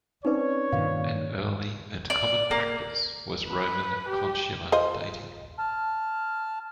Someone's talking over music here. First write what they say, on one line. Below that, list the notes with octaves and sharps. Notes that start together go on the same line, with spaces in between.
An early and common practice was Roman 'consular' dating.
C4 C#4 D#4 B4 C#5 D5
G2 A#2 D#3 F5
D5
A#3
B4
G4
F4 C5 D#5
A5 F6